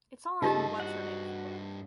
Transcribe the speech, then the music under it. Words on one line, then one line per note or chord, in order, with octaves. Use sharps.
It's all in what's-her-name's book.
G2 C#3 A3 D#4 F4 G4 D#5 A5
F#4 F#5